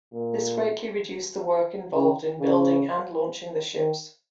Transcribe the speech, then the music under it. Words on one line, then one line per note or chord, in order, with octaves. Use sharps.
This greatly reduced the work involved in building and launching the ships.
A#2
C#3
C#3
D#3